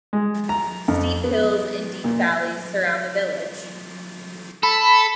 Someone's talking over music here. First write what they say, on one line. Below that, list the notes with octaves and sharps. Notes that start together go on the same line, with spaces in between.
Steep hills and deep valleys surround the village.
G#3
A#5
F2
B3
A#2
A4 B5